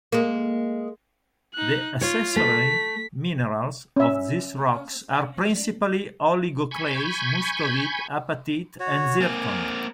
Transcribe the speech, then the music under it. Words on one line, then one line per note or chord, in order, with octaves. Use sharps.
The accessory minerals of these rocks are principally oligoclase, muscovite, apatite and zircon.
G#3 A#3
D#4 F#6
F4 C#5
A3 B6
C#4 E5
G#5 B5 C#6 G6
F#4 C#5
A#3 C4 G#5